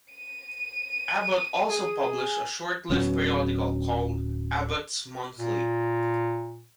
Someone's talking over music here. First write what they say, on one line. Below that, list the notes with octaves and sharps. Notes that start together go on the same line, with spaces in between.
Abbott also published a short-lived periodical called "Abbott's Monthly".
D#7
G#4
D1 C#3 F#3 B3
A#2